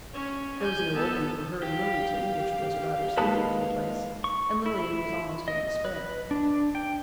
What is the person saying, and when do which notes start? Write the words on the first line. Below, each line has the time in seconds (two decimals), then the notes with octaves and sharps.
There was no opening for her in Willington, which was a rather sleepy little place, and Lilian was almost in despair.
0.13 C#4 C#5
0.60 G#5 G6
0.95 B3 A4
1.63 G4 F5
3.17 G#3 A#3 D#4 B4 A5
4.24 C#6
4.66 E4
5.48 D#5
5.85 B4
6.31 D4
6.75 G5